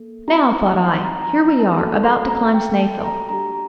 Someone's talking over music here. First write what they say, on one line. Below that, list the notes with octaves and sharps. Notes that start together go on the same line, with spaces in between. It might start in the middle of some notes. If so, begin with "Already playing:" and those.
Now, thought I, here we are, about to climb Snaefell.
Already playing: A#3 A4
C4 D#4 F#4 A#5
A5
C6
A#5
A#5
A5
A#3 F#4 A4 A5
C6
A#5
G5
G5
A5
A#5
D4 G4 A#5